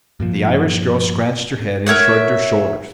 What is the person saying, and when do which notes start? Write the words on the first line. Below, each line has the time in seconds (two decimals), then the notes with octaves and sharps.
The Irish girl scratched her head and shrugged her shoulders.
0.20 G2 A#2 F3
1.87 A#4 C#5 E5 F#5